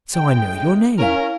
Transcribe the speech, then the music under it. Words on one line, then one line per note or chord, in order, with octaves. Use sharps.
"So I know your name."
A2 C#3 G#3 G5
C#4 E4 A#4 F5